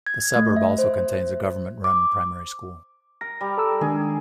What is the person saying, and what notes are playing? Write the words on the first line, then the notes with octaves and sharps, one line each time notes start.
The suburb also contains a government run primary school.
G#6
A3
E5
C5
D6
A#4 A#6
G3
A4 A#5 E6
D#3 G#3 D4 G#4